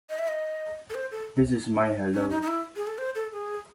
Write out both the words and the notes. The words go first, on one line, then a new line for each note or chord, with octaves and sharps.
This is my hello.
D#5
E5
D#5
A4
C5
A4
C#4
D#4
D#4
E4
G#4
A4
C5
A4
G#4